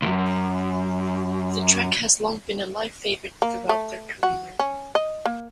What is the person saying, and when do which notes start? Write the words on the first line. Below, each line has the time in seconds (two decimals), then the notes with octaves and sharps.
The track has long been a live favourite throughout their career.
0.02 C#2 F#2
3.42 A#3
3.69 A3
4.23 F#4
4.59 C#4
4.95 D#5
5.25 A#3